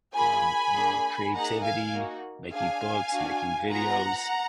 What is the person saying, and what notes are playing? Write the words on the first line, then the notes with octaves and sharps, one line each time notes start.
um, you know, creativity, making books, making videos.
A#3 F4 G#4 G#5 B5
A#3 D4 G#4
A#3 D#4 G#4 F#5 A#5
F5 G#5
A#3 D#4 F#4
D4 G#4 F5 G#5
D4 F#4
B3 F4 G#4 F#5 A#5